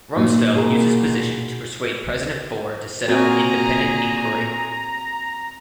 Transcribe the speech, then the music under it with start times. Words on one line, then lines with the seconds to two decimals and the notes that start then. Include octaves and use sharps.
Rumsfeld used his position to persuade President Ford to set up an independent inquiry.
0.15 A#2 D#4
0.54 B2 G#4 A#4
3.08 A#2 C4 F#4 G#4 A#4 A#5